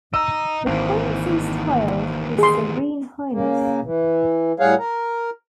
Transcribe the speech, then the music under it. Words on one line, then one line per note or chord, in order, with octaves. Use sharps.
The Prince is styled "His Serene Highness".
D#5 A#5 E6
G#1 D#2 E3
G#4 C6
C#3 A#3
E3
A2 G3 G#4 C#5 F5 F#5
A#4